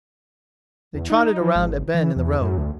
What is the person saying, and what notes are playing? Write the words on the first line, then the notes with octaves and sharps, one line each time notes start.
They trotted around a bend in the road.
E2
D#4
F3
G#1
E3
E2
F#2
D2